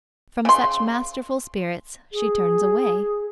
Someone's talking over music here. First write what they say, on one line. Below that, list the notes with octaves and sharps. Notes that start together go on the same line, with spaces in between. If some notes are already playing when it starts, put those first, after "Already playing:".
From such masterful spirits she turns away.
C#3 C6
G#4